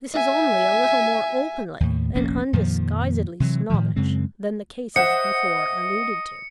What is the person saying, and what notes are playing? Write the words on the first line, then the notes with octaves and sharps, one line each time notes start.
This is only a little more openly and undisguisedly snobbish than the cases before alluded to.
E5 G#5
D#2 A2
F1 A#1 A#3 C#4
F2 A#2 D#3 F3
C3 E3 F#3
A2 D#3 F3
F#2 C#3 G#3 C4
C5 D#5 E5 F#5 C#7